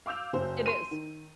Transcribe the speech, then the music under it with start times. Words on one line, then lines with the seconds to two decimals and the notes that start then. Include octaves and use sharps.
It is.
0.06 F5 D6 E6 G6 F7
0.33 F#1 C5
0.66 C6 D#7
0.91 D#3